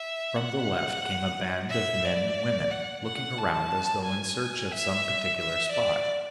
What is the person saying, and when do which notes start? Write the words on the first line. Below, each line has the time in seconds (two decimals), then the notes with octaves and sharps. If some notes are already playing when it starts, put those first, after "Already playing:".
From the left came a band of men and women, looking around as though in search of some particular spot.
Already playing: E5
0.36 F#5
1.70 E5
2.05 D5
2.71 F#5
3.05 F#5
3.38 A5
4.05 G#5
4.71 E5
5.38 E5
5.72 D5